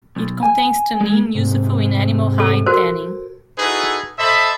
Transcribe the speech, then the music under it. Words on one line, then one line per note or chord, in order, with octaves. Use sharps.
It contains tannin useful in animal hide tanning.
B1
G#5
G#3
G#2 C3
A4
F#4 A#4 C5
D#4 E4 F#4 G#4 A4 B4
A4 C5 D#5 E5 A5 B5